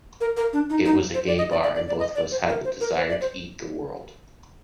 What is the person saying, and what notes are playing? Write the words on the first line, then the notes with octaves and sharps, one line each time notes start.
It was a gay bar and both of us had the desire to eat the world.
A#4
A#4
D4
D#4
D#4
C5
D5
D#5
D5
D5
D5
D5
D#5
D5
C5
A#4
C5
A#4
C5
D5
C5